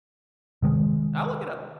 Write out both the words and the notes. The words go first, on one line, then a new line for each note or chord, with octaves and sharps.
I'll look it up.
C3 D#3 G#3